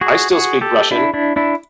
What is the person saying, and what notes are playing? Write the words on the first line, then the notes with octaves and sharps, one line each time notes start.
I still speak Russian.
F#4 G#4
F#4 G#4
G4 A4
D4 E4
D4 E4
D4 E4